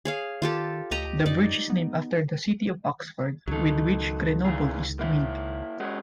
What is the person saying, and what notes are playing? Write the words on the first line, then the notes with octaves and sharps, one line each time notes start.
The bridge is named after the city of Oxford, with which Grenoble is twinned.
G#4 C#5 F5
D#3 F4 G4 A4
D2 G4 D#5 A#5
F#2 D#4 D5
B3
C#2 D#3 F#3 A4
E3 F4 G#4
A#3 E4
G#3 C#4 F#4